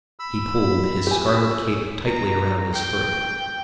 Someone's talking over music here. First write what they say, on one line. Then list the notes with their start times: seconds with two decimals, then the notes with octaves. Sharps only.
He pulled his scarlet cape tightly around his throat.
0.20 B5 E6
1.07 G4 G#5
2.06 A#5
2.73 G5